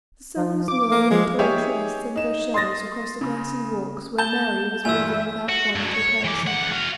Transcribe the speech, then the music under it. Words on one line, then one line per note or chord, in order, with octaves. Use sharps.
The sun was low, and tall trees sent their shadows across the grassy walks where Mary was moving without bonnet or parasol.
F3
D6
A#3
F3 G#3
D#4 G4 G#4 C#5 E5 G#5
D#4 E7
C6 D#6 A6 A#6
C#3
A5 G6 G7
G2 A#2 E3 E5 G#5 E6
F#4
G2 F#3
C#5
E3 D5
C#2 F#5
F#4 F5